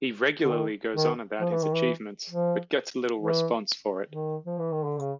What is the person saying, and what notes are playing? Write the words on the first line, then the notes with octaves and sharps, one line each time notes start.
He regularly goes on about his achievements, but gets little response for it.
D3
D#3
D#3
F3
E3
D#3
E3
F3
E3
D#3
F3
E3
D#3
D3
C#3